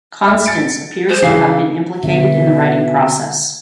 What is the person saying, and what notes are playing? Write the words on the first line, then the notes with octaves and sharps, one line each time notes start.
Constance appears to have been implicated in the writing process.
E5
A6 C#7 D7
C5
C#3 E3 F5 C7
B2 D3 E5